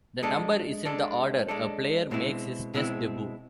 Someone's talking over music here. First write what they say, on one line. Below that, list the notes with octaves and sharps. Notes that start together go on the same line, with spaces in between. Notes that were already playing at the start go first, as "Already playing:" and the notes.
The number is in the order a player makes his Test debut.
G#3 D4 A4
G#3 D4 A4
G#3 D4 A4
B2 G#3 C4 E4
B2 G#3 C4 E4